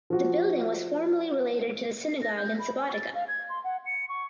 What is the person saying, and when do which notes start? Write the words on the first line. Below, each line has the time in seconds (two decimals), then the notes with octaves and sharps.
The building was formally related to the synagogue in Subotica.
0.10 F3 F#4
2.22 A#6
2.37 G6
2.59 B5
2.78 G#5
2.93 A6
3.15 F5
3.28 G#6
3.49 C6
3.64 F#5
3.86 C#7
4.09 C#6